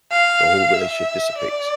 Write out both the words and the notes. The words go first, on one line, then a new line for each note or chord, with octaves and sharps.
the whole relationship dissipates.
F5
E5
D5